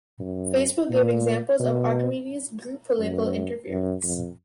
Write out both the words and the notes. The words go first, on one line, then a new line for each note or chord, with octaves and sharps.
Facebook gave examples of Archimedes Group political interference.
F#2
A#2
B2
F#2
F#2
F2